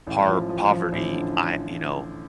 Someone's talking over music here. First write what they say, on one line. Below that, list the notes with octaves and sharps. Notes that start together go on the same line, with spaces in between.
par poverty, I you know,
A1
F3
F3
F3
A1
D3